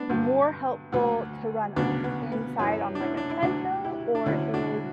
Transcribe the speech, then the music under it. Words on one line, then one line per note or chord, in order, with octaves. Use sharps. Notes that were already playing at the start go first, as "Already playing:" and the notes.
more helpful to run inside on, like, a treadmill, or is
Already playing: B3 D4
G2 D3 F#3
D2 D3 F#3
D2 C#3 F#3 B3 D4
B3
B3
F#2 E3 C#4
D4
C#4 E4
D4
E4
D2 D3 F#3 D4 F#4
E4 G4
D4
D2 D3 F#3 C#4 E4
D4 F#4